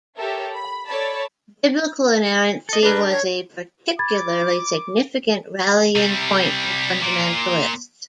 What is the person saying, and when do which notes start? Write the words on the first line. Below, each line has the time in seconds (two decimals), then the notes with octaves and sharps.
Biblical inerrancy was a particularly significant rallying point for fundamentalists.
0.17 G4 A4 A#4 C#5 E5
0.54 B5
0.88 A4 C#5 D5 A5 B5
2.69 A4 D#5
2.83 D4 A#4 B4
3.11 C#5
3.99 B5 D6 G#6 A6
5.96 C3 G3
7.01 A#2